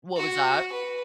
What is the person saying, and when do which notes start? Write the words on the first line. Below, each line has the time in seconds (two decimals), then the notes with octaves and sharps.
What was that?
0.17 F#4
0.72 B4